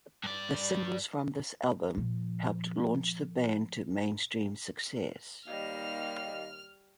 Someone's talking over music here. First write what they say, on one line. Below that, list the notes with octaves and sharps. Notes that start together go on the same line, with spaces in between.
The singles from this album helped launch the band to mainstream success.
G2 D5
A#2 F3
D#2 G3 D#5 F5 F6